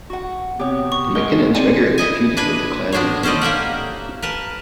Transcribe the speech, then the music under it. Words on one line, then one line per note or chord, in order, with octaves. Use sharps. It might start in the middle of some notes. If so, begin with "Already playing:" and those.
The Mackinnons regularly feuded with the Clan Maclean.
F#4 F#5
C3 B3 G4 C#5
C#6
G#3 A#4
G#3 C4 D5 G#5 D#7
E4 D#5 G#5
D4 B4 G#5
A2 B3 D4 C5 C#5
C#4 A4 C5 D5 D#5
A#3 G4 E5 F#5
A#4 B4 A5